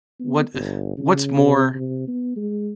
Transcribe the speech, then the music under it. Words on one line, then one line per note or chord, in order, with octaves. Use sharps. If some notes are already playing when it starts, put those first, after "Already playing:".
what, uh, what's more
B3
G1
C#3
C3
C3
B3
G#3